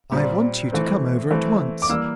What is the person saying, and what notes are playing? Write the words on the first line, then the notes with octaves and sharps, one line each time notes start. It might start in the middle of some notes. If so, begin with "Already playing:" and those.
"I want you to come over at once."
A#2 G3 C4
E3 A3 C4
E3 A3 C4
D6
E3 G3 A#3 E6